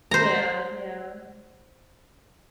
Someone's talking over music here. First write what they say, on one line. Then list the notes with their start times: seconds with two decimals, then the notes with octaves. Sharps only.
Yeah, yeah.
0.11 C5 A#5